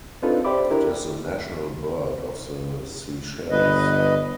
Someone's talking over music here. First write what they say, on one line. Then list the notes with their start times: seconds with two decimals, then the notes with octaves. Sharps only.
It is the national bird of the Seychelles.
0.22 C4 D4 D#4 F4 A4 B4
0.45 G4 C5 D5 E5 B5 D6
0.70 D4 E4 G4 A#4
3.50 G1 B4 D#5